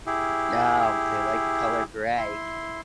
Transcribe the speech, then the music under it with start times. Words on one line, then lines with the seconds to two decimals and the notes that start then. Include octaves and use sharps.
No, they like the color gray.
0.07 E4 G4 G#4
2.17 E4 C6